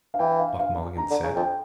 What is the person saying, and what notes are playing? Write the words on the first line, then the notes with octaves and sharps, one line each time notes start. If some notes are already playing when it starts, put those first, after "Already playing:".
Buck Mulligan said.
F5
E3 G5
F5
F5
A#5
D3
C#3
F2 G5